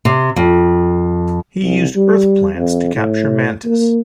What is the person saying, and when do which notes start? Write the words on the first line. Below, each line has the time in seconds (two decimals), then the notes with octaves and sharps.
He used Earth plants to capture Mantis.
0.05 C3
0.36 F2
1.63 C2
1.96 G3
2.56 F2
2.95 A2
3.65 A#3